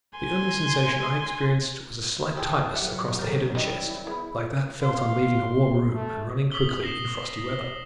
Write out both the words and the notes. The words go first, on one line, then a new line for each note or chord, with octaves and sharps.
The only sensation I experienced was a slight tightness across the head and chest, like that felt on leaving a warm room and running quickly in frosty weather.
G#5 C6
E4 G4 G#4 A5 C6
F#3 G3 G4 G#4 E5 F#5
D#3 A4 A#4
F#2 C3 G3 D#4 E4 B4 D#5
B3 G#4 B5
F5 C6
A3
D#6 B6 F#7 G7
A#6 C7 E7